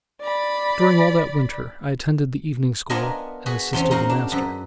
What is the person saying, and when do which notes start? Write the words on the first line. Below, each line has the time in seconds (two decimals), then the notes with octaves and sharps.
During all that winter I attended the evening school and assisted the master.
0.21 D5 B5
2.90 B3 D4 F4 A#4 D#5 G#5
3.46 F#4 G#4 B4
3.73 E2 C4 C#4
3.91 D#4 F#4 A#4 F5
4.09 D4
4.32 F#2 B4